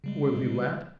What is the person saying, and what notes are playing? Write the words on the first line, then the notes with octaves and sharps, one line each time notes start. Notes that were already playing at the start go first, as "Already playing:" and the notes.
Will he laugh?
C#3 G3 G#3